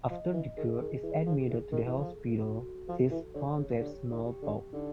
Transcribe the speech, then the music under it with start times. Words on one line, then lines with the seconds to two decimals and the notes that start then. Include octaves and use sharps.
After the girl is admitted to the hospital, she is found to have smallpox.
0.10 F3 D#5
0.33 E3
0.57 D#3 G#4
0.80 D#3
1.03 E3 G#4
1.26 F3
1.49 E3 G#4
1.72 D#3
1.86 E3
1.95 F3 A4
2.41 F#4
2.88 F3 A4
3.11 E3
3.34 D3 C#5
3.58 C#3
3.81 D3 G4
4.11 D#3
4.26 G4
4.42 D3
4.73 D3 D#4